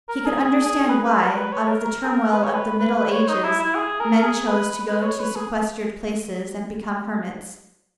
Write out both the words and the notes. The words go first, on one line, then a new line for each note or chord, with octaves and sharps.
He could understand why, out of the turmoil of the Middle Ages, men chose to go to sequestered places and become hermits.
A#4
G#4
G#4
G#4
B4
B4
A#4
B4
C#5
A#4
A#4
G#4
A#4
B4
C#5
B4
B4
B4
C#5
D#4
E4
E4
G#4
A#4
G#4
B4
B4
B4
C#5
B4
G#4